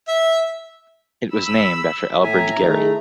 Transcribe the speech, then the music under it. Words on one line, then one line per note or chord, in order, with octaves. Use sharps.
It was named after Elbridge Gerry.
E5
B5 E6
A2 E5 G#5 A#5
D#3 A3 E4 G#4